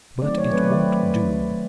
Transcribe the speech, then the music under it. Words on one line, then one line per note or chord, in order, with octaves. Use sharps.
'But it won't do.
D#3 F#3 A3 C4 D5
C#5
D#3 F#3 A3 C4 B4
D5